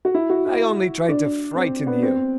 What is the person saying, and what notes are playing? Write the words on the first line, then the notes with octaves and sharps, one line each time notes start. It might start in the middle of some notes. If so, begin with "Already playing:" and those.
I only tried to frighten you.
F#4
E4
F#4
E4
D4
C4
B3
C4